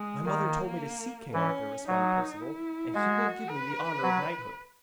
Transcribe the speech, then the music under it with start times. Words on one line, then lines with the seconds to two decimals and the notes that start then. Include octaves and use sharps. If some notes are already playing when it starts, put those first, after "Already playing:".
'My mother told me to seek King Arthur,' responded Perceval,' and he will give me the honour of knighthood.'
Already playing: G#3
0.25 D#3 A#3
1.33 E3 C#4
1.87 F#3 D#4
2.41 E4
2.95 G#3 F#4
3.50 B4
4.02 F#3